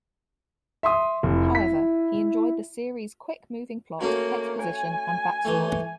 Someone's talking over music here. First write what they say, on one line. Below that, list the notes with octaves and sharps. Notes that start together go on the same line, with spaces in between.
However, he enjoyed the series' quick-moving plot, exposition, and backstory.
E5 C6 D#6
F1 E4
B6
A3 A#3 C#4 F#4
G#5
E3 A3